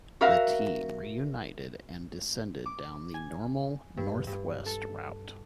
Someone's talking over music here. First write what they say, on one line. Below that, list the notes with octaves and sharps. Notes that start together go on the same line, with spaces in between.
The team reunited and descended down the normal, northwest route.
F#4 A#4 E5 F5
D6
G#5
G2
G2
A4